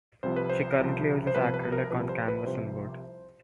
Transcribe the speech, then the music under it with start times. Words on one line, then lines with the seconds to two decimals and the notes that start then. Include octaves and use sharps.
She currently uses acrylic on canvas and wood.
0.23 C2 C3 F3 C5
0.36 B4
0.50 C5
0.79 C2 C3 F3
1.27 C5
1.35 C2 C3 F3 B4
1.54 B4
1.72 A#4
1.91 C2 C3 F3 B4
2.09 C5
2.28 B4
2.47 C2 C3 F3 C5